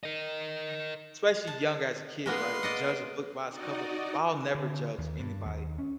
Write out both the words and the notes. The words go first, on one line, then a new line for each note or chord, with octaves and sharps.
especially young as a kid, right, judge a book by its cover, but I'll never judge anybody
A#4 D#5
A5
G#3 A#3 B3 B4 C6
D5 D#5 F#5
D#4 F#4 D5 D#5
D3
D#2
G2
D#2
C#4